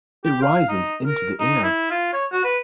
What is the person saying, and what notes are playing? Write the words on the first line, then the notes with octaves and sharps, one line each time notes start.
It rises into the air.
G4
F5
D#4
A#4
D#4
E4
F4
C#5
F#4
B4